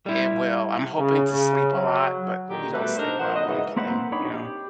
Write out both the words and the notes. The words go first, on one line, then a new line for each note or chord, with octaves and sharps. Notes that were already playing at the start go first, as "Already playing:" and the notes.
It will. I'm hoping to sleep a lot, but you don't sleep well on plane, you know?
G3 E4
C#3
C#3
F#3
A#2 D3 D#3 G4
B2 G3 A3 B4
D4 D#4 A#4 C5
A#2 E3 F3 C5 F#5
D3 F#3 D#5
G#2 C#3 E3 D#4
A#3 C4 B4 C5 F#5
D4 D#4 C#5 G5 B5
G4